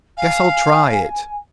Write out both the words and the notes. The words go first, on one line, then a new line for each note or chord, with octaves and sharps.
"Guess I'll try it."
F5 G#5